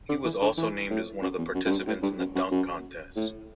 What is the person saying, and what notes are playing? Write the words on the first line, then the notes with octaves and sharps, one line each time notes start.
He was also named as one of the participants in the dunk contest.
D3
E3
D3
E3
A2
F#2
E2
F#2
F#2
G2
A2
G2
F#2
F#2
F#2
A2